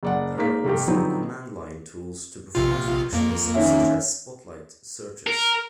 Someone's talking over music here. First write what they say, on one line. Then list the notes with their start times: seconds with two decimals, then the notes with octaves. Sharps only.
There are also command-line tools to perform functions such as Spotlight searches.
0.03 F#1 D5 F#5
0.37 G#3 A#3 D#4 F5 B6
0.65 F1 G2 G3 G4
0.87 D3 F3 F#3 B3 C4 D#4
2.55 A#1 C3 F4
3.13 F2 A#3
3.54 D#3 C#4 E5
5.27 A#4